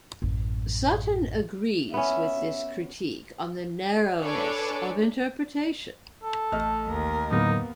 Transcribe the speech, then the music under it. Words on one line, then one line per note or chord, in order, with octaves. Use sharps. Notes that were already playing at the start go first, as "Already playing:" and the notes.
Sutton agrees with this critique on the narrowness of interpretation.
A1 F#2
B3 C#4 E5
D4 G#4 A4 B4 C#5 D5
A4
A1 A3 D#5 F6
D#2 A#4
A2 D3 F#3 A#3 B3 D#4